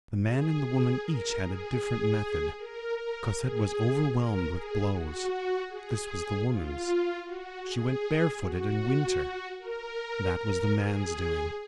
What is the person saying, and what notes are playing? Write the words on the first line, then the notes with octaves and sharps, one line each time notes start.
The man and the woman each had a different method: Cosette was overwhelmed with blows--this was the woman's; she went barefooted in winter--that was the man's doing.
G#4
G#4
A#4
G#4
A#4
A#4
G#4
A#4
G#4
F#4
G#4
F4
F#4
G#4
F#4
A#4
A#4
G#4